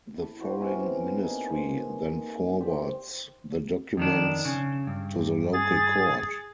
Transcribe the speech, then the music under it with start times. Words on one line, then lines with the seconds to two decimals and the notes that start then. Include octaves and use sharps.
The foreign ministry then forwards the documents to the local court.
0.16 E4 A4
0.39 E4 F#4 C5 D5
0.60 C3 B3 C#4 G#4
1.23 D3 A#3 D#4 G#4
1.46 C5
2.60 G4 C5 D5 E5
3.97 F2 D#3 D4
4.45 C#3
4.87 G2
5.53 G#4 A6